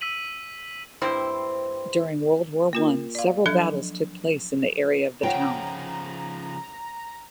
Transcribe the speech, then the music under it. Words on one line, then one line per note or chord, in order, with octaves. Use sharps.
During World War One, several battles took place in the area of the town.
E6 B6 D#7 F#7
G2 C4 E4 C5
A#3 F4 A#4
D5 F5
F3 F#3 D4 A4 E5 G#6
C#3 F3 F4 C#5 F#5 G5 A#5